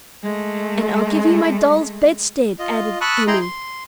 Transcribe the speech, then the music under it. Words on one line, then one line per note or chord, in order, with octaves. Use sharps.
"And I'll give you my doll's bedstead," added Emmy.
G#3 A3
F4 D#5
A5 B5 C#6 D#6 E6 F#6
E4 G#4 D#5 G5 A#5 C6
C6